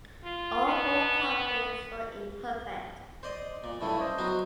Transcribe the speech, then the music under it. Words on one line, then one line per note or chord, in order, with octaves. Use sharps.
All four copies were imperfect.
F4
B3
C5 D5 D#5
A#2 D5
G2 C#3 G3 A3 E4
C5 D#5
F#3 B3 F#4